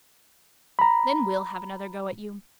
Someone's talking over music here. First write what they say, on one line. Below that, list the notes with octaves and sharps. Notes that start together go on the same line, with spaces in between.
Then we'll have another go at you.
A#5 B5